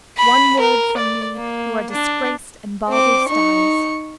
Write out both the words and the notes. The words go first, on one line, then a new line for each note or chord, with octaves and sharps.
One word from me, you are disgraced and Baldos dies.
B5
A#4
D5
A#3
D4
C4 D6
D#4 C#6